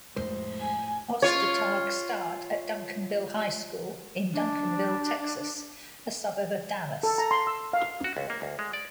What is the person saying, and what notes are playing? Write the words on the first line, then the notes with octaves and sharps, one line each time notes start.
Ostertag starred at Duncanville High School in Duncanville, Texas, a suburb of Dallas.
F2 A2 G#3 C5
G#5
F4 C#5
D4
A4
A#5
C6
E6
F5
F#4
C#2
A#3
D2
G#3
D5